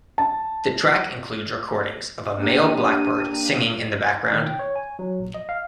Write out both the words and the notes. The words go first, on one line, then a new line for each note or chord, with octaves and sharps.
The track includes recordings of a male blackbird singing in the background.
A5
A#3 D4 G4 D#7
D#3
G5
C#5
G#5
F#3
A#1
D#5
F5